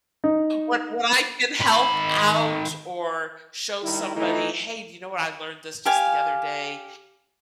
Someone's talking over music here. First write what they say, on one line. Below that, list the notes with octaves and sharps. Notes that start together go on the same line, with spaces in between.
when when I can help out or show somebody, "Hey, do you know what I learned this just the other day?"
D#4
D#3 B5
D#3 G3 E4
E3 A3 D#4 E4
G4 F5 G#5